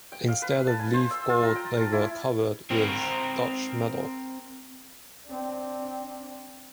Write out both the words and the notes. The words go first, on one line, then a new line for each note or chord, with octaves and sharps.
Instead of leaf gold they were covered with Dutch metal.
G5
F5
B4
A5
G#5
C5
E6
F4
A#5
G5
A5
E4
C4 A#4
C4 D4